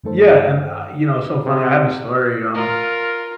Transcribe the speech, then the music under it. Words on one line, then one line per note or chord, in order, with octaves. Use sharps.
Yeah, and, uh, you know, so funny, I have a story, um,
G2 D#3 A3 A4 C5
C3
F4 A#4